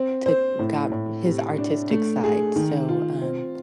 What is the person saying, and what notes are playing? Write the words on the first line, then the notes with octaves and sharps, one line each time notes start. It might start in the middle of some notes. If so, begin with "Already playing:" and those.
took got his artistic side, so, um,
Already playing: C4
C5
A2
A2
C3
D4
A3
G#4
D#3
F4
C4